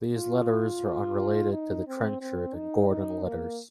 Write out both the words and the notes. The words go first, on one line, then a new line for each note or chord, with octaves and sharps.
These letters are unrelated to the Trenchard and Gordon letters.
F4
D#4
C4
C4
D#4
D#4
A#3